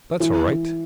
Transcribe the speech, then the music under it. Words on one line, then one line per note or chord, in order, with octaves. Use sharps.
That's all right.
E3